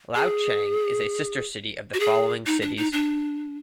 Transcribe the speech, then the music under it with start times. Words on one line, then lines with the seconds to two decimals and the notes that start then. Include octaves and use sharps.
Liaocheng is a sister city of the following cities.
0.15 G#4
1.94 F#4
2.00 G#4
2.46 D#4
2.62 D4
2.77 D#4
2.93 D4